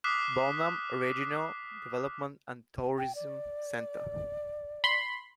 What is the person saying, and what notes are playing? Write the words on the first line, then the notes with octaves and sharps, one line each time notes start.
Bonham Regional Development and Tourism Center.
D6 D#6 F6 F#6 B6 C7
G5
D5
B5 C6